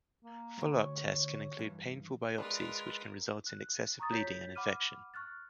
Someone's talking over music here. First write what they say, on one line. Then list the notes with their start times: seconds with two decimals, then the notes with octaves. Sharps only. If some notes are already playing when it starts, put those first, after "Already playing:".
Follow-up tests can include painful biopsies which can result in excessive bleeding and infection.
0.24 A#3
0.58 D2 G2
0.77 C#5
1.59 G2 E3
2.38 G#3 D4 F4 A#4 B4
3.47 F#6
4.00 A#5 C#6 D#6 A6
4.13 F4 C#5 G6 A6 B6
4.55 F#5 B5 D6 F6 D#7
5.14 C#6 F6 F#6 A6